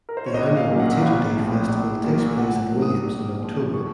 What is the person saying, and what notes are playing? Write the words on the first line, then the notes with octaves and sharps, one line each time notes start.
The annual Potato Day Festival takes place at Williams in October.
A#4
C5
C#5
A#1 D#5
F5
A#2 F#3 A#3 C#4
F#5
A#1 F5
A2 F3 C4
A#1
A#2 F#3 A#3
A2 F#5
F#3 A#3 C#4
D#6
A#1
A#2 F3
C#6